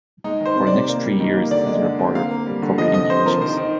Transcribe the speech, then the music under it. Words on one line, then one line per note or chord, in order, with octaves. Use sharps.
For the next three years as a reporter, he covered Indian issues.
G#3 D#4
D#3
C5
C3
D5
C3
A#3
G3
D#3
A#3
D3 D5
G#3
D3
C4
A#3 F5
A#3
G3
D3
F3 D#5
C3 D#5
C3 C5
F3 A#4
D#3 C5
D#3